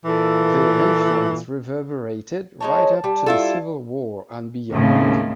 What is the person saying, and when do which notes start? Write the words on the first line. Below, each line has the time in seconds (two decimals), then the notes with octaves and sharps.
Their influence reverberated right up to the Civil War and beyond.
0.05 A#2 E3 A4
2.60 G#3 D#4 C#5 A5
3.04 G3
3.26 E4 F4 A4
4.71 D#2 A2 C#3 G#3 C4